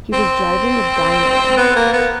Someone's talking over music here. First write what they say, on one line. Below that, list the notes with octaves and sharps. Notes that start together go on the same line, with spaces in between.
He was driving a Dino.
C4
B3
A#3
B3